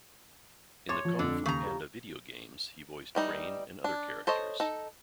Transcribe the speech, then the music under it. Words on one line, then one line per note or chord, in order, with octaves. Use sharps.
In the "Kung Fu Panda" video games, he voiced Crane and other characters.
C#5 C6 D6 A6
F3
F2 D3
D#2 C#3 A#5
G4
E3 G3 D#4
D4
A4 C5 C#5 D#5
D#4 A4